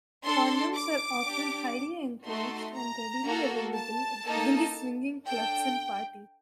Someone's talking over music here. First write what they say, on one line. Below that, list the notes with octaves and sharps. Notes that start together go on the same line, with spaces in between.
Condoms are often highly encouraged and readily available at many swinging clubs and parties.
D4 A4 C6
D6
D4 G4
A3 D#4 F#4 A4 C6
A#5
A#3 F#4 A4
A5
A#3 D#4 A4
D4 A4 G5